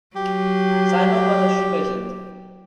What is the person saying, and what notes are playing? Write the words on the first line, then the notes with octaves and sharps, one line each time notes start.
Simon was a ship agent.
F#3 G4